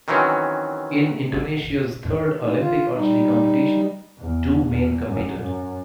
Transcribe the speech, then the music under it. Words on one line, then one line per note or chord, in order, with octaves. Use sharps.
In Indonesia's third Olympic archery competition, two men competed.
D#3 E3 F#3 C4 C#4
G#2 B2 E3
F4
G3 D#4
E2
E2
F#2
F#2